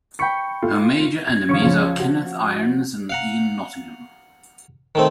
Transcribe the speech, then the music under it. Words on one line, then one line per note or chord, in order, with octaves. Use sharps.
Her major enemies are Kenneth Irons and Ian Nottingham.
G5 B5 C#6 C#7
A3 F4
G#6
F3 C#4 C#6 C#7
C#2 C#3 F3 F4
F#4
F5 F#5 A#5
D#3 A3 C4